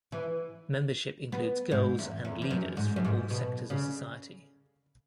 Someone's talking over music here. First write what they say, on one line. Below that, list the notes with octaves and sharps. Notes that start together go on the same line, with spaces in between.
Membership includes girls and leaders from all sectors of society.
E3
B3
G#2
E2
E2
E2
F#2
G#2
F#2
G#2
B2
C#3